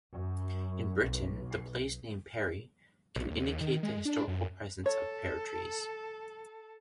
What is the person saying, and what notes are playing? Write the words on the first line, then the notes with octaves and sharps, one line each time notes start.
In Britain, the place name "Perry" can indicate the historical presence of pear trees.
F#2
B1
B1
D#2
D#3
G#3
D4
F#2
A4 C#5